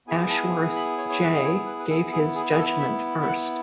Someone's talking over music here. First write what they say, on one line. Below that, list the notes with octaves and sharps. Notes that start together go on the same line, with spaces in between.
Ashworth J gave his judgment first.
B3 E4 G#4 G#5
A5
B5
C#5
C#5
B4
D#5
C#5
B4
B4
B3 E4 G#4 A4
G#4
G#4
G#4
A4
E5
E5
F#5